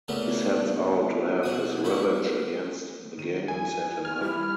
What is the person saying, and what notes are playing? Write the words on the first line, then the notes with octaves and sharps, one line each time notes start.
He sets out to have his revenge against the gang who set him up.
A#2 C#3 A3 B3
B2 F#4 D#6
A#3 E4 F#4
D#3 D#7
F2 G#5
F6 G#6
G3 E4 G4